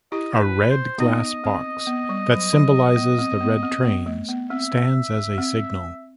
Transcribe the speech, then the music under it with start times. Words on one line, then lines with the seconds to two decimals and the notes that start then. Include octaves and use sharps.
A red glass box, that symbolizes the red trains, stands as a "signal".
0.12 E4 G4 D#5
0.33 C5
0.41 B4
0.70 C5
0.99 B3 D#4 D#5
1.44 C4
1.87 B3
2.09 G3
2.31 F#3
2.53 F#3
2.97 B3
3.19 C4
3.41 B3
3.63 C4
3.85 B3
4.06 A3
4.28 B3
4.50 C4 E5
5.38 C4